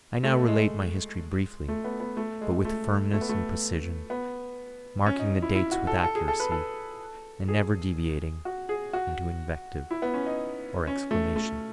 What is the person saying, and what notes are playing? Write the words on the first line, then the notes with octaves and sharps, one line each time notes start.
I now related my history briefly but with firmness and precision, marking the dates with accuracy and never deviating into invective or exclamation.
A3
G#3
A3
B3
B3
A3
G#3
A3
A3
B3
A3
B3
C#4
D#4
E4
E4
F#4
A4
A4
G#4
A4
B4
A4
G#4
F#4
G#4
F#4
E4
B3
C#4
D#4
C#4
A3
A3